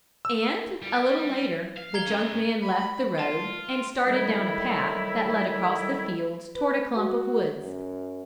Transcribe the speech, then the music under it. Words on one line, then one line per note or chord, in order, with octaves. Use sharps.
And, a little later, the junk man left the road, and started down a path that led across the fields toward a clump of woods.
E6
G3
F5
A#5 G#6 G7
A3 C#4
B5
F4 A5
A2 D#3 F#3 G3 A3 E4
B4
F#4
F#2